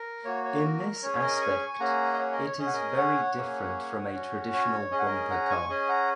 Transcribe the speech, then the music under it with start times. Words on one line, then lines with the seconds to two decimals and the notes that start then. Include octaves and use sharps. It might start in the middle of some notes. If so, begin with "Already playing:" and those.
In this aspect, it is very different from a traditional bumper car.
Already playing: A#4
0.24 A#3 F#4 C#5
0.44 C#5
0.63 A#4
1.03 C#4 G#4 C#5
1.22 A#4 D#5
1.36 A#5
1.41 G#5 C#6
1.74 C#6
1.80 A#3 C#4 G#4 F#5 A#5
2.13 D#5
2.19 C#5 F#5
2.32 A#4 D#5
2.46 C#5
2.58 C#4 G#4 D#5
2.66 F#5
2.73 A#4 D#5
2.97 C#5 F#5
3.36 A#3 C#4 G#4
4.14 C#4 F#4
4.53 C#5
4.91 C#4 G#4 D#5
4.99 F#5
5.06 A#4 D#5
5.30 F#5 A#5
5.50 G#5 C#6
5.69 C#4 G#4 D#5 G#5
5.89 F#5 A#5